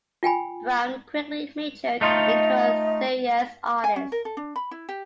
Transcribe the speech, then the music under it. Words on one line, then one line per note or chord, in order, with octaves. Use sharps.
Brown quickly matured into a serious artist.
F4 G5 G#5 B5
A3 D#4 F4 D#5
G#5
C#4
A#4
A4
D4
B5
E4
G4